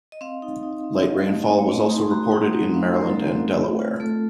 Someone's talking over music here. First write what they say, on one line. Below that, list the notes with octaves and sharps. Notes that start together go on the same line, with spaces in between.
Light rainfall was also reported in Maryland and Delaware.
D#5
C4 F5
D#4
D#4
C4
F5
D#4 D#5
A3
C4 D#5
C#5
A3 D#5
D#4 C6
C6
F#4 A#5
D#4 F#5
C4
C4 F5
C4 C5
A#4
A4
F#4
C4
A3
F4
A3 A4